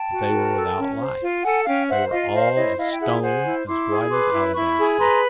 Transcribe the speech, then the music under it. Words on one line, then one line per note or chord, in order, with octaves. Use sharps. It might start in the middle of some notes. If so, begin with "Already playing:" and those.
But they were without life--they were all of stone as white as alabaster.
Already playing: G5 A5
F#4
A#4
A4
C#4
C5
F4
A4 F#5 G#5
C#4 F5 G5
C5 E5 F#5
F4 D#5 F5
C5 D#5 F5
E4 C#5 D#5
E4 D#5 F5
G5
G#4 E5 F#5
C5 F#5 G#5
E4
E4 C6 D6
G#4
B4 C6 D6
E4
E4 B5 C#6
G#4
B4 A#5 C6